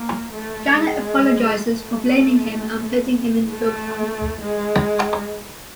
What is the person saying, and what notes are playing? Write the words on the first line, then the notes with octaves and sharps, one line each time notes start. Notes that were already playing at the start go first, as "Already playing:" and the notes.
Janet apologizes for blaming him and putting him in the dog pound.
Already playing: A#3
A3
G#3
A3
A3
G#3